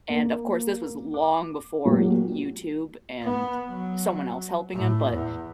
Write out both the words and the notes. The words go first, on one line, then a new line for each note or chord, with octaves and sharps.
And of course this was long before Y YouTube and someone else helping him, but
A#3
D6
A#2 F#3 G#3 A3 F#4 G4
B3
F#3
A2
E2